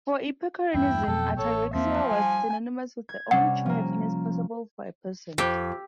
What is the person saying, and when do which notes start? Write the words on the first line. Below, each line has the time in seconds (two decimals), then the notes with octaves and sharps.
For Epicureanism, "ataraxia" was synonymous with the only true happiness possible for a person.
0.74 E2 G2 E4 G5
1.07 F2 B2 F#3 A4
1.38 A1 A4 C#5
1.74 E2 F3 A#3 C4 E5
2.11 G3 G#5
3.09 G#6
3.31 C3 G3 C#4 F#5
3.66 F3 A#3
5.38 F2 G4